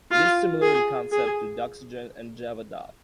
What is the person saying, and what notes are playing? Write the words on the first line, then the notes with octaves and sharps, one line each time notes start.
It is similar in concept to Doxygen and Javadoc.
F4
G#4
G#4